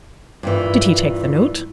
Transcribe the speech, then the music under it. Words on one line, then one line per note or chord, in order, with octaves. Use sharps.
"Did he take the note?"
G2 A#2 E3